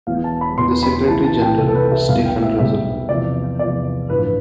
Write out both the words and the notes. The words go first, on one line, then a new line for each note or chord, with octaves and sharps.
The Secretary-General is Stephen Russell.
E1 E2 B2 F5
A5
B5
E1 E2 B2 C6
B5
C2 C3 E3 A5
A5
G5
C2 C3 E3 A4
A4
B4
E5
B1 B2 G3 F5
G5
E5
B1 B2 G3 E5
E2 C3 F3 D5
E2 C3 F3 D5
A1 G2 F3 B4